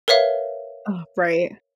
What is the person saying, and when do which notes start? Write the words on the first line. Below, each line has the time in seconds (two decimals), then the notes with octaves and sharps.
Oh, right.
0.08 A#4 B4 C#5 E5 F5